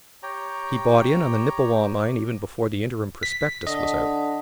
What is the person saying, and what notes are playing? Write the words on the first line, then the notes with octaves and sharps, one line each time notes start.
He bought in on the Nippewa mine even before the interim prospectus was out.
G4 C#5 G5 A#5
B6
D3 D#5